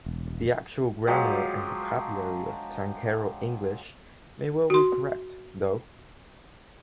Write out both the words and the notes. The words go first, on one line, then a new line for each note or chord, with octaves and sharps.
The actual grammar and vocabulary of "tankero English" may well be correct, though.
E1
F3 F#3 G#3 G4
F#4 C6